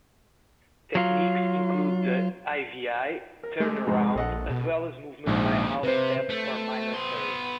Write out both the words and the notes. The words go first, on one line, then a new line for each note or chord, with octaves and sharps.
Techniques include the ii-V-I turnaround, as well as movement by half-step or minor third.
F#3 F4
A#4
G#3 A3 G4
F2 G#2 C3
A#1 A4 D#5 F#5
B2
A#1 D#2 G#2 F3
C3 B4 C5
A3
B3 C6